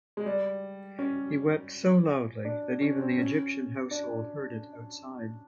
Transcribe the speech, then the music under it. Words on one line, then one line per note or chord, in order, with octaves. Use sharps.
He wept so loudly that even the Egyptian household heard it outside.
G#3
G3
C#4
D4
C#4
C4
C#4
D4